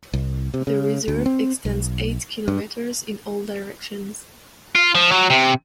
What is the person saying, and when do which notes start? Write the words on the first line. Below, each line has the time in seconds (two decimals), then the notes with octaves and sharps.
The reserve extends eight kilometers in all directions.
0.14 C2
0.54 C3
0.67 C#3
1.08 D2
1.26 C4
1.65 B1
2.48 G2
4.75 F4
4.95 F3
5.12 F#3
5.30 C3